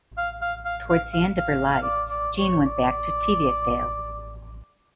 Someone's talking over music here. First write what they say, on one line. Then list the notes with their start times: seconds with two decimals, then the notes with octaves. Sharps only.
Towards the end of her life, Jean went back to Teviotdale.
0.18 F5
0.42 F5
0.65 F5
0.90 F5
1.13 F5
1.38 F5
1.72 F5
1.83 D5
2.10 D5
2.38 C#5
2.66 D5